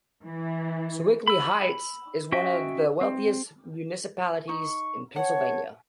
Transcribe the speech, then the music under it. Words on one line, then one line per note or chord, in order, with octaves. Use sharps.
Sewickley Heights is one of the wealthiest municipalities in Pennsylvania.
E3
B5 E6
C#4 F#4 D#5 E5 G5
C4
D#4 C#6
C#5 F#5 A5